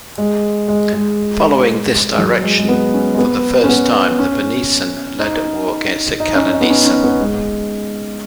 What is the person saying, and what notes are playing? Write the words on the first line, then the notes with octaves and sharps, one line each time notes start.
Following this direction, for the first time the Venneesan led a war against Kalineesan.
G#3
G#3
G#3
G#3
F#3
G#3
G#3
B3
C#4
G#3
B3
C#4
B3
C#4
D#4
D#4
C#4
D#4
B3
C#4
C#4
B3
G#3